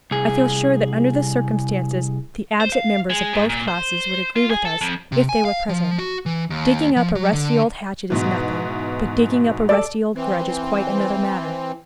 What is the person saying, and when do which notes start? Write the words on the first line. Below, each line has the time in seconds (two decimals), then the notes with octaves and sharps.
I feel sure that under the circumstances the absent members of both classes would agree with us if they were present. Digging up a rusty old hatchet is nothing, but digging up a rusty old grudge is quite another matter.
0.11 C2 G#4
2.60 C5
2.72 F5
3.10 G#3
3.33 G#2
3.49 A#2
3.68 C5
4.36 F4
4.50 G#4
4.65 A4
4.81 F2
5.12 C3
5.29 G#5
5.45 F5
5.69 F3
5.98 F#4
6.26 E3
6.50 D#2
6.96 F3
7.15 F#3
7.33 D3
8.10 G#2 B2 E3
9.69 A4 D5
10.15 E3 C4